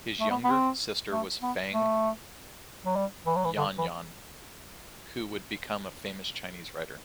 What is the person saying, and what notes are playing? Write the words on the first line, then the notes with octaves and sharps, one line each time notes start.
His younger sister was Feng Yuanjun, who would become a famous Chinese writer.
A3
B3
B3
C4
A3
B3
A3
F#3
G3
E3
F#3
E3
D3
E3